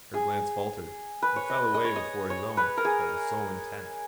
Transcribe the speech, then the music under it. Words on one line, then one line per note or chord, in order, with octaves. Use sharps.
Her glance faltered, and fell away before his own that was so intent.
G#4
B4
C#5
D#5
D#5
C#5
D#5
C#5
B4
A#4
G#4